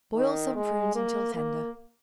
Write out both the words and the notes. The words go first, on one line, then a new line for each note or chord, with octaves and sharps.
Boil some prunes until tender.
D#3
G#3
A#3
A#3